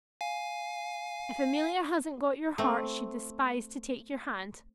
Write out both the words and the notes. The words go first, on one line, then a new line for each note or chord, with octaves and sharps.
If Amelia hasn't got your heart, she'd despise to take your hand.
F5 G#5
A3 C4